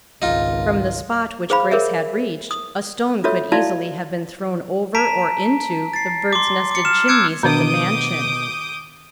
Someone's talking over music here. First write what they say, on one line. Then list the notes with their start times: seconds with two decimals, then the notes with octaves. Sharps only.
From the spot which Grace had reached a stone could easily have been thrown over or into, the birds'-nested chimneys of the mansion.
0.22 G#1 C#2 D#4 F4
1.50 G#4 C5 F5 B5
1.71 G#4 A#4 C#5 E5
2.51 D#6
3.24 F4 F#4 A4 C#5 E5
3.52 E4 F#4 D5 F5 A5
4.95 A5 A#5 B6 D7
5.93 A6 C7
6.33 C6 D6
6.71 D6 C#7
6.85 F6 E7
7.08 D6 E6 F#6 G#6 C#7 D7
7.43 B2 D#3 D4 D6 D#6 G6